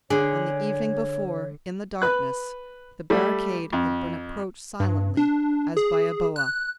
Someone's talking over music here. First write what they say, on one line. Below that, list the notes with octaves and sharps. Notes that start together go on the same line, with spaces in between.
On the evening before, in the darkness, the barricade had been approached silently, as by a boa.
D3 G#4 C#5
B4 F#6
G3 A3
F2
G2
D4
G#4
F#6